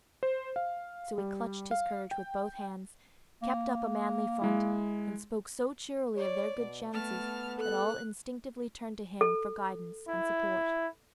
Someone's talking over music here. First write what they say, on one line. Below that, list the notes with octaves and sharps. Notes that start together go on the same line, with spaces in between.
So he clutched his courage with both hands, kept up a manly front, and spoke so cheerily of their good chances, that all instinctively turned to him for guidance and support.
C5
F5
G3
F5
G5
A#3
G#3 E4
C#5 D5
B2
A3 B3 A5 F6
A4 F#6
A4
E4